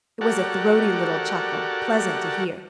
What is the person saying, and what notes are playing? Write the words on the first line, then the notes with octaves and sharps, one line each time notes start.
It was a throaty little chuckle, pleasant to hear.
F#4 G4 A4 A#4 D5 F#5